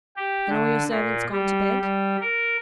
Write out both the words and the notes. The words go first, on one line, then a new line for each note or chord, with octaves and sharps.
"And all your servants gone to bed?"
G4
D3
A#2
G3
G3
A#4